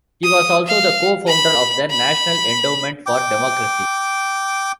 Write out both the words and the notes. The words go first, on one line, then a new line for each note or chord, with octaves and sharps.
He was also the co-founder of the National Endowment for Democracy.
D#6
F5
B5
B5
G5 D6